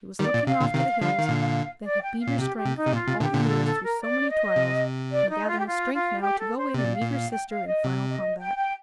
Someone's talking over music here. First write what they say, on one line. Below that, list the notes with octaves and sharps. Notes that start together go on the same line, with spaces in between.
She was looking off to the hills that had been her strength all the years through so many trials, and gathering strength now to go in and meet her sister in final combat.
D#3 G3 D5
A#2
C3 F5
A#2 D3
C3 D#3
D3 F3
D#3
A#2 D3
D5
G5
F5
A#2
C3 G4
G4
C3
D#4
C3
A#2 F4
C3
A#2 D3 G4
A#2 D3
A#4
A4
A4
A#4
D5
D#5
C3
D5
D#4
F4
G4
F4
F4
G4
A4
C5
C3 D5
A#2
F5
A#2
F5
G5
F5
D#5
C3
D#5
G5
G5